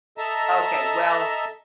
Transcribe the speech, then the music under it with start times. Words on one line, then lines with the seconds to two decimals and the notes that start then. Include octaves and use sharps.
Okay. Well,
0.18 A4 D#5 E5 A5 A#5